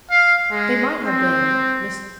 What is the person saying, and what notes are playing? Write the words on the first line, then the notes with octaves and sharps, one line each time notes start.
They might have been--Mrs.
F5
G#3
C4